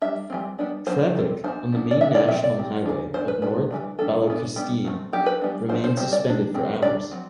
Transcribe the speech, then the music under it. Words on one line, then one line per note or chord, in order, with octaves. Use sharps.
Traffic on the main national highway of North Balochistan remained suspended for hours.
G3 D4 E5
E3 G3 C4
G3 B3 D4
F#3 B3 D4 C5
G3 C4
E3 B3 D4 C5
G3 B3 D4
D5
G3 B3 D4 E5
D5
F#3 C4 E5
D5
G3 C4
E3 A3 D4
E3 B3 D4 C5
B4
G3 D4 B4
E3 G3 D4
G3 B3 D4 A4
E3 B3 D4
G3 B3 D4
F#3 A3 C4
F#3 B3 D4 G4
B4
E3 G3 B3 D4
F#3 A3 D4 C5
C5
G3 C4 C5
D5
G3 D4
G3 C4
G3 D4 D5
F#3 C4